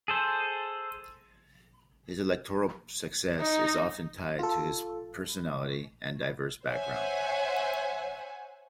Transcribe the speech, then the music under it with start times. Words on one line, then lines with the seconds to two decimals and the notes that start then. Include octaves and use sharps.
His electoral success is often tied to his personality and diverse background.
0.08 G#4 A4 C5
3.40 D#4
4.39 F4 A4
6.65 C5 C#5 E5 F#5 G#5